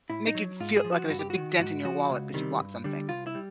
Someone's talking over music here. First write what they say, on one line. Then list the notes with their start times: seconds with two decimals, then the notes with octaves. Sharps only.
make you feel like there's a big dent in your wallet ‘cause you want something,
0.10 A2 E4
0.27 D#4
0.35 F#3
0.60 G#2 F4
0.77 G#4
0.84 F3
0.93 F#4
1.10 G2 F#4
1.19 G4
1.30 F#3 F#4
1.38 D#3
1.59 G#2 F#4
1.84 F3 F#4
2.10 C#2
2.34 C3 D#3 G3
2.59 G2
2.84 D3 G3
3.09 C2 F4
3.27 E4
3.35 G3